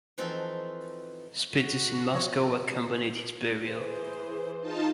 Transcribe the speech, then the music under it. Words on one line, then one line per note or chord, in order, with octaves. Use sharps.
Speeches in Moscow accompanied his burial.
E3 F3 C4 D#4 F#4 A4
F#4
F3 C#5
E3 G#4 C5
D#4 F4 A5